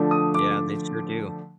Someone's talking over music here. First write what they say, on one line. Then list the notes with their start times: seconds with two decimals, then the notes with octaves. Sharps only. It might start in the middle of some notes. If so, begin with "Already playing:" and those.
Yeah, they sure do.
Already playing: D3 F3 A3 D4
0.11 D#6
0.34 D6